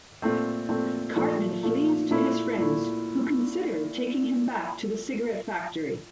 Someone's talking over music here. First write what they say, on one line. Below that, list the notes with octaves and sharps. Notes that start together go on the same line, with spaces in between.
Cartman flees to his friends, who consider taking him back to the cigarette factory.
A#2 A3 C4
A#2 A3 C4
A#2 F3 A3
A#2 F3 A3
A#2 A3 E4
A#2 A3 E4